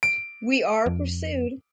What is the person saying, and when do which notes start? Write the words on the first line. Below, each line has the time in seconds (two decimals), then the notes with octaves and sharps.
We are pursued.
0.03 D7
0.86 F2